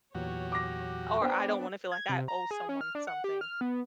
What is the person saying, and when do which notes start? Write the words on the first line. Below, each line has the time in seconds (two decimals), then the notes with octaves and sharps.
or I don't wanna feel, like, I owe someone something.
0.15 E2 A#2 E3 F#3 F#4 G4 C#5
0.52 D6 A#6
1.21 B3 D4 C5 G5
1.92 G#6
2.09 C3
2.28 A#5
2.51 G#4
2.69 C#4
2.81 F6
2.95 D4
3.07 F#5
3.24 G4
3.41 F6
3.61 B3